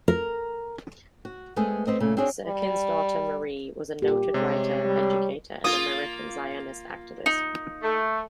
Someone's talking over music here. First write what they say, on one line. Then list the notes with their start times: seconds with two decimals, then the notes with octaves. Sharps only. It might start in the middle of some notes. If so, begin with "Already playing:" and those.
Syrkin's daughter Marie was a noted writer, educator and American Zionist activist.
0.08 A#4
1.25 F#4
1.56 G#3 A3 B3 C4 G#4
1.87 B3 C4 D#5
2.00 A#2 C#3 A3
2.17 C4 D4 F#4 G#4 C#5 D5
2.47 G3
4.02 A#2 G4
4.34 C3 G#3 C#5
4.85 G3
5.64 A#3 F4 D#6
7.26 D#4
7.83 A3